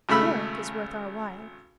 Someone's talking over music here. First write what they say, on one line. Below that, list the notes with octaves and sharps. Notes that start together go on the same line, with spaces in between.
Warwick is worth our while.
G#1 C#3 A3 B5 E6